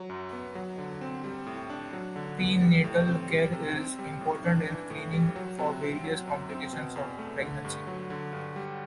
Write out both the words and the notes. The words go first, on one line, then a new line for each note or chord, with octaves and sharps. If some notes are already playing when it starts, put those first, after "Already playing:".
Prenatal care is important in screening for various complications of pregnancy.
Already playing: F#3
F#2
B3
F#3
D3
C4
G3
A2
D4
F#3
D3
B3
G3
A2
C4
G3
C3
C4
G3
A2
D4
E3
A2
G3
F#3
C3
C4
F#3
F#2
C4
B2
E2
A3
D3
G2
F#3
D3
G2
G3